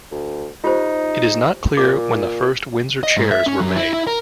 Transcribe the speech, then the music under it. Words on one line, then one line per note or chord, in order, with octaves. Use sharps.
It is not clear when the first Windsor Chairs were made.
D2
D#4 F4 G4 C5
A#2 D6
D#5
G#2
E5
C#4
F#2
E4
E4
A#4